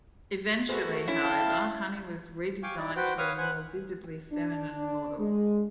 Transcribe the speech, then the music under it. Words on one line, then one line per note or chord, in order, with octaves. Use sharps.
Eventually, however, Honey was redesigned to a more visibly feminine model.
A3 F#4 G#4 B4 C5
C#4 E4
F5 G5 A5
F5 G5 G#5 C#6 D6
D#4 E4 D5
F#4 B4 C5 G5
B4 C#5 F5 C#6 D#6 F6
B4 C5 F#5 G#5 F#6
D4
G#3